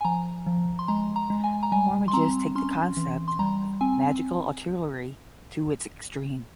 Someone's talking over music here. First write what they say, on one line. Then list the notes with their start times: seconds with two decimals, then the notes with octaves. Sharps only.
Warmages take the concept of "magical artillery" to its extreme.
0.01 G#5
0.05 F3 A#5
0.47 F3
0.79 C6
0.88 G#3 A#5
1.16 A#5
1.30 G#3
1.44 G#5
1.63 A#5
1.72 G3 G#5
2.08 C6
2.13 C4 A#5
2.55 C#4 C6
2.97 E3
3.28 C6
3.39 G3 A#5
3.81 C4 G#5